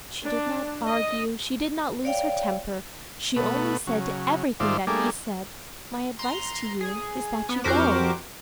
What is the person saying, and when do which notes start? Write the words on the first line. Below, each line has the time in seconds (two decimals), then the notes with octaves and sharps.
She did not argue; she did not lose her temper; she only said to everything that he said, "My advice to you is that you go."
0.24 D4
0.87 D#5
2.04 C#5 D5 F5 G5
3.36 B2 A3 B3
3.87 C#3 F#3
4.60 G#2 D#3 F4 C5 D5 E5
4.87 G3 A3 A#3 D4 G#4
6.19 A#5 C6
6.81 G#4
7.49 B3
7.64 F2 F#4 G4 A#4 C5 D6